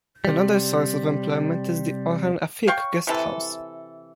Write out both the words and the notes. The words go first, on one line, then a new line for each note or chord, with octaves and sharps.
Another source of employment is the Orhan Afik guesthouse.
C3 G3
C#5 F5 G5 C#6
C3 E3 A4